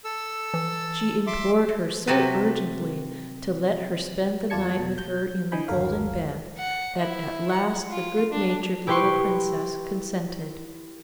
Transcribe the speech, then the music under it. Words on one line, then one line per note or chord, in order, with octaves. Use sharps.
She implored her so urgently to let her spend the night with her in the golden bed, that at last the good-natured little Princess consented.
A4 E6
E3
E5 C6 D6
C3 F#3 C4 A4 B4
E2 F4 D5 A5 G#6 C#7
B2
G6
D3 E3 D#5 G#5 B5 G6
G1 D#2 D3 A4 A#4 F5
F#5
E4
F#5
F4
D4
E4 G4 B4 G5 C6 C#6